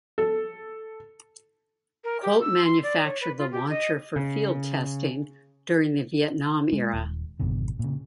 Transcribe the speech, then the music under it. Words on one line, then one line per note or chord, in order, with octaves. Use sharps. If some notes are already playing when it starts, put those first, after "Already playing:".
Colt manufactured the launcher for field testing during the Vietnam era.
A4
A#4
G4
E6
C6
D5
C#5
B4
F4
G4
D#5
C#3
G#3
D#1
G#1 F2 B2 D3
A#2 C#3